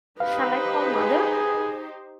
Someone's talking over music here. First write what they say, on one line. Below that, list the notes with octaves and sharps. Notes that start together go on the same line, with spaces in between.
Shall I call mother?
D#4 G4 B4 C5 F5
G#4